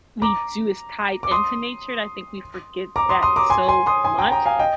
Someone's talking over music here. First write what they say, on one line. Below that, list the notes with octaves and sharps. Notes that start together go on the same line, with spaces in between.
We do, it's tied into nature and I think we forget that so much
A#5 D6
D6
C6 D#6
A#5 D6
C6 D#6
C6 D#6
A#5 D6
G#5 C6
G#5 C6
C6 D#6
G#5 C6
G5 A#5
G5 A#5
F5 G#5
D#5 G5